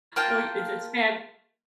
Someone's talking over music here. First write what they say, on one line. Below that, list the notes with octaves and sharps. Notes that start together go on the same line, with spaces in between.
well it's it's bad
A#3 F4 G5 A5